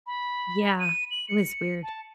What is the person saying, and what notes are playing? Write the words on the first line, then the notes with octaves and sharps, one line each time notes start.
Yeah. It was weird.
B5
D#7
F#7
C#7
A5